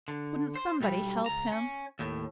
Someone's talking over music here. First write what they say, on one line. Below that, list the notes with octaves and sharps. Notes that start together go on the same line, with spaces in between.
Wouldn't somebody help him?'
D3
C5
B1 G3
C#2 A#5
C#4
D#2 A2